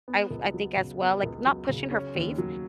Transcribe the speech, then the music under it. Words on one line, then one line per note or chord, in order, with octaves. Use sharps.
I've I think, as well, like, not pushing her faith,
B3
C#2
F#3
C#3
B3
C#2
F#3
C#3
C#4
D#2
F#3